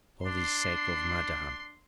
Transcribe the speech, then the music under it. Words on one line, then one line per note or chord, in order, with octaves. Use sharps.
For the sake of Madame.
D4 C6 C7